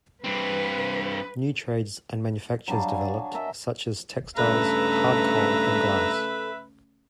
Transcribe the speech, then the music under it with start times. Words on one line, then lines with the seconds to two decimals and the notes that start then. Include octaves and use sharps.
New trades and manufactures developed, such as textiles, hard coal and glass.
0.24 G2 C4 B4
2.68 F#3 G3 D4 F5
2.88 G#5
3.34 A#4 D#5 E5 A#5
4.36 G2 C#3 A3 A4 B4 E5 A#5